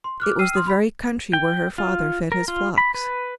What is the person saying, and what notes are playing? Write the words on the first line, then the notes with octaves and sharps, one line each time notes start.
It was the very country where her father fed his flocks.
C6
D6 F6 F#6
G5 E6 F6 C7 D#7
C6 D#6 F6
B5 B6
G5
F4
A#4
F4
B5
B4